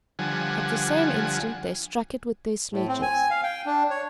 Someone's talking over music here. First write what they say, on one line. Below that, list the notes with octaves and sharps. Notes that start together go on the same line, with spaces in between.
At the same instant they struck it with their sledges.
D3 F3 G3 F#5 G#5
A2
C4
G#5
F5
G5
D4
C#5